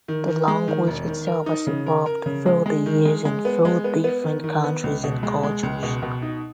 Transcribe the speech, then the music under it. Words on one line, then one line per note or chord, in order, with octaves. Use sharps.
The language itself has evolved through the years and through different countries and cultures.
D#3
D#3
G#3
D#3
E1
D#3
A#4
D#4
C#3
A#4
A#4
C#3
G#3
G#3
D#3
G#3
G#3
B3
G#3
B3
B3
D#3
D#3
B3
C#2
B2
G#3
G#3
C#2
B2
B2
D#4